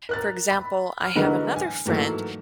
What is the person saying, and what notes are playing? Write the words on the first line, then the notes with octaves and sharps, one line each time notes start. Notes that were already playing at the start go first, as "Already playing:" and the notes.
For example, I have another friend
A#4 F#6 A6
B5
F6
D3 E3 F#3 G#3 A#4 B4
G#5
G#2 E3 F#3 A3 A#3